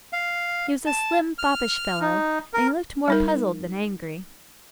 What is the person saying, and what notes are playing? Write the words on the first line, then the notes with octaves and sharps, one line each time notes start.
He was a slim, foppish fellow, and he looked more puzzled than angry.
F5
A5
F6
D#4
A#4
G3 D#4 A#4